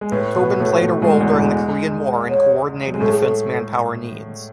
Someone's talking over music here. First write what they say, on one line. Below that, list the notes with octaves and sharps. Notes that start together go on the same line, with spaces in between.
Tobin played a role during the Korean War in coordinating defense manpower needs.
G#3
A2 A3 B4
B2 B3
A2 A3
A2 A3
G#2 G#3
E2 E3
G#2 G#3
C#5
F#3
G#3
A2 A3 A4
G#4
A4